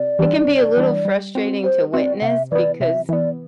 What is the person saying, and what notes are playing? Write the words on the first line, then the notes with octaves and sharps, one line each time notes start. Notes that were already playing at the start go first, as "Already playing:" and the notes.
it can be a little frustrating to witness because,
Already playing: C3 D5
E3 G3 D4
C3
E3 G3 D4
G3
C4 F#4
G3 C5
C4 F#4 D5 E5
C3 E5 F#5
E3 B3 D5
C3 E5
E3 B3 D5 E5